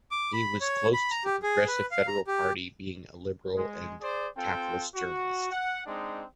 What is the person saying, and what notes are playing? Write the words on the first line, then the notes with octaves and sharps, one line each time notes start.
He was close to the Progressive Federal Party being a liberal and capitalist journalist.
D6
B5
C#5
B5
A#5
G4
G#4
B4
F5
A#5
G4
G#3
G#4 C5 D5
C4 F4 A4 G5
F#4
F#5
G#3 C4 D4 D#4